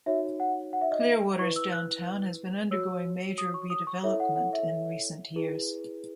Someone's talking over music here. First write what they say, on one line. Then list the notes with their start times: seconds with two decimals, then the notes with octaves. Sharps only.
Clearwater's downtown has been undergoing major redevelopment in recent years.
0.06 D#4 F#4 C#5 E5
0.40 F#5
0.73 F#5
0.81 E5
0.91 D#5
1.00 E5
1.39 E4 B4 C#6
1.56 E6
1.72 F#6
2.71 F#4 C#5 E6
3.38 D#6
3.54 C#6
3.70 D#6
3.87 C#6
4.03 E4 A4 C#5 E5
4.20 F#5
4.36 F#5
4.53 E5
5.36 E4 G#4 B4